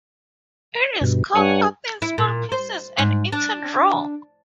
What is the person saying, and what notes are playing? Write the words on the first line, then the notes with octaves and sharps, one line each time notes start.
It is cut up in small pieces and eaten raw.
G2 B2
G2 C#5 F#5 G#5
E4
A#2
C5
G#2
D4